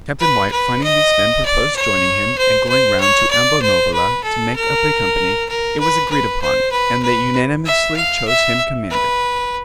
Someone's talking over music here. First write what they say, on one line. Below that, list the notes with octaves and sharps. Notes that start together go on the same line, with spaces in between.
Captain White, finding these men proposed joining him, and going round to Ambonavoula, to make up a company, it was agreed upon, and they unanimously chose him commander.
B4
B4
D#5
D5
C#5
C5
C5
C#5
D5
C5
B4
A4
A#4
A#4
B4
B4
C5
B4
B4
E5
F5
E5
B4